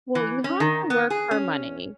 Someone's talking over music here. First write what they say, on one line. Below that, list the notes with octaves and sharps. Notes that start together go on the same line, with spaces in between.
Well, you have to work for money,
E3
C#4
D#3
B3
G#4
C#4